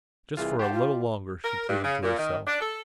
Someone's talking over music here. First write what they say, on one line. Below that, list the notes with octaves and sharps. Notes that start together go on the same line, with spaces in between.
Just for a little longer, she pleaded to herself.
C2 E3 F4 G#4
G4 C5 F#5 A5
F4
A#4
G2
C#3
A#2
D#3
D4
A4